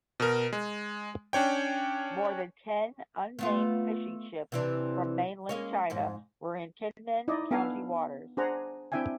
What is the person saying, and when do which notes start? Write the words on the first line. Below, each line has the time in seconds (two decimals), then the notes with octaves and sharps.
More than ten unnamed fishing ships from mainland China were in Kinmen County waters.
0.20 B2 A#4
0.53 G#3
1.33 C#4 D4 C#5 G5
3.39 A3 B3 F4
4.52 C3 E3 D4
5.49 G#3 A#3 C#4
5.90 F2 G#2
7.28 D#4 E4 D5 D#5
7.51 B3 D4 A4 F5 G#5
8.37 D4 G#4 C5 F#5 A#5
8.92 C4 D4 E4 E5 G5 G#5